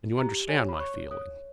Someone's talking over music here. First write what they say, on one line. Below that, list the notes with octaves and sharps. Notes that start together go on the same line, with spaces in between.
"And you understand my feeling?"
G4 A#5
C#5 G#5
B5
C#5 C#6
C#5 D#6